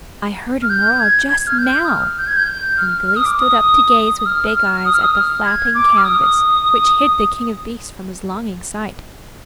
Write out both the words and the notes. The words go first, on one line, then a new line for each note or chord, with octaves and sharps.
"I heard 'em roar just now;" and Billy stood up to gaze with big eyes at the flapping canvas which hid the king of beasts from his longing sight.
F6
G6
G#6
G#6
F6
G6
D#6
F6
G6
G#6
G6
G6
F6
F6
D#6
D6
D#6
D#6
F6
F6
D#6
F6
D#6
F6
G#6
D6
F6
D#6